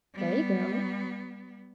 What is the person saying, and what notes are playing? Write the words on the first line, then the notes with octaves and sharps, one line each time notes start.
There you go.
G3 B3